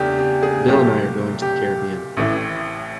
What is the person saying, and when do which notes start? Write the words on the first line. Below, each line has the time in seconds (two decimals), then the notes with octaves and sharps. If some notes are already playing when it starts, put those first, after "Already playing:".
Bill and I are going to the Caribbean.
Already playing: E2 C#3 A3 D4 G4
0.19 G4
0.43 G#4
0.68 C2 A#2 F#3 A3 G4
1.42 G4
2.17 A1 A2 E3